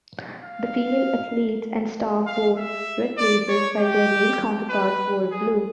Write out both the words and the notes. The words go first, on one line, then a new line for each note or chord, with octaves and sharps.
The female athletes and staff wore red blazers, while their male counterparts wore blue.
F5
F5
E5
D5
C#5
G4
B4
G#4